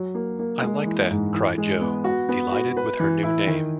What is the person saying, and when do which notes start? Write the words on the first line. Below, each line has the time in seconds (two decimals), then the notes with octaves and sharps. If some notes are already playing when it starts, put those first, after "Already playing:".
"I like that," cried Jo, delighted with her new name.
Already playing: F#3
0.15 A#3
0.39 A#3
0.63 G#3
0.86 E3
1.11 G#2
1.34 E3
1.58 G#3
1.81 B3
2.04 F#4
2.29 B3
2.52 F#4
2.77 B4
3.00 E3
3.23 E4
3.47 D#3